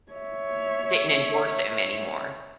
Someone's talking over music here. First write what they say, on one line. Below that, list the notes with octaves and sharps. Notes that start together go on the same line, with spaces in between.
Didn't endorse him anymore.
C#5 E5